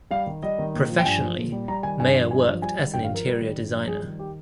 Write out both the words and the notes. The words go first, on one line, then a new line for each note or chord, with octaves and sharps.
Professionally, Mayer worked as an interior designer.
G3 F5
D#3
G3 D#5
D#3
A#2
F3
G5
G2 G#5
F3
A#2
G3
G3 A#5
D#3 G#5
G2 G#5
F3
G2 G#5
F3
G3 G#5
D#3
G2 G5
F5
F3
A#4
G3
D#3
G2
F3
G3 G#4
D#3
G4